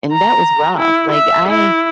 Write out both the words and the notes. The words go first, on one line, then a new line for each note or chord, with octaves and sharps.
and that was rough, like, I
A#5
E4
E5
E4